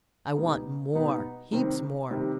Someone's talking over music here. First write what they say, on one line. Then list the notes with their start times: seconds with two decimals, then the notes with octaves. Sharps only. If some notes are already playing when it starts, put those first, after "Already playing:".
'I want more,--heaps more.
0.36 B2 G3 B3 D#4
0.93 B2 G3 B3 D#4
1.52 C3 D#3 G3 C4
2.10 C3 D#3 G3 C4